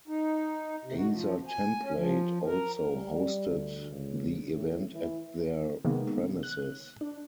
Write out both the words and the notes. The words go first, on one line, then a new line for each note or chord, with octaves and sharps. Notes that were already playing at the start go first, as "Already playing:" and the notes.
Azatemplate also hosted the event at their premises.
D#4
C3
F#4
F3
G#5
C#4
F3
A#4
G3
D2
C#2
A2
E3
C3 D#3 G#3 A#3 B3
F#6
D4